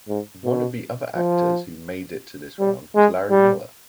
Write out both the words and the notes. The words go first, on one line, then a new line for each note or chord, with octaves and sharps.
One of the other actors who made it to this round was Larry Miller.
G#2
B2
F3
G3
G#3
G3